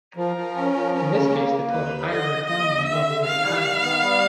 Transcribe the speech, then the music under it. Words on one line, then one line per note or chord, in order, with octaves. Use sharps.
In this case, the total thyroid hormone level will be high.
F3 A#4
F3
C#4
F3
C#4
C#3
A#3
A#3
D#2 B4
D#2
D3 D#5
D3
D#2 D#5
D#2
D3 E5
D3
D#3 F5
G3
D#3
B3
G3